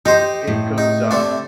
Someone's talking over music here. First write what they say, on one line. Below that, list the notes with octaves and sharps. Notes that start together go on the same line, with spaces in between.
It goes up
D#4 G4 C5 D#5
A2
D#4
C3 A3 D4